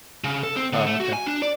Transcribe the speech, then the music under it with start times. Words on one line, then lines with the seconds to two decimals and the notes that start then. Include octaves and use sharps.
Oh, okay.
0.24 C#3
0.43 A4
0.56 C4
0.73 D3
0.86 A3
1.00 F#4
1.13 G#5
1.26 D4
1.42 D5